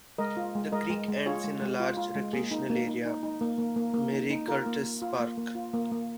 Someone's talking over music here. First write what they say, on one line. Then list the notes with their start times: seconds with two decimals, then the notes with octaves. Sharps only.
The creek ends in a large recreational area, Marie Curtis Park.
0.18 G#3 A#4 D#5
0.37 F4
0.55 G#3
0.72 G#3 A#4 D#5
0.90 G#3
1.08 G#3
1.26 F4 G#4 C#5
1.44 G#3
1.62 G#3
1.80 F4
1.97 F4
2.15 G#3
2.33 A#3 G#4
2.51 D#4
2.70 A#3
2.87 D#4
3.06 D#4
3.23 D#4
3.41 A#3
3.58 A#3
3.76 A#3
3.94 A#3
4.13 D#4
4.30 D#4
4.48 F4 A#4
4.66 A#3
4.84 A#3
5.02 F4
5.20 A#3
5.37 A#3
5.55 F4
5.74 A#3
5.91 A#3